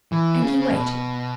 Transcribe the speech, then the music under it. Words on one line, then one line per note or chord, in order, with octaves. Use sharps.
And he waited.
E3
C#3
B2